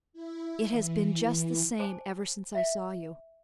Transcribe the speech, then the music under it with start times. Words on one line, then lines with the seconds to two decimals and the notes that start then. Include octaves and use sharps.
It has been just the same ever since I saw you.
0.13 E4
0.70 E3
1.79 C5 G#5 A5 D6
2.55 E5